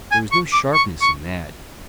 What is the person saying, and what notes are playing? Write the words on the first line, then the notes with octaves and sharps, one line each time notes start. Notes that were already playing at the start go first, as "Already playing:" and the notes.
There was no sharpness in that.
G#5
C#6
D6
C#6
C#6